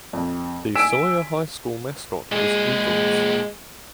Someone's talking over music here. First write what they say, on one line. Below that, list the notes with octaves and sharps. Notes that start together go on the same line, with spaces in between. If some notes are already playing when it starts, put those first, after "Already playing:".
The Sawyer High School mascot was Eagles.
F2
G#5 E6 B6 D7 E7
A#2 G#3 G#4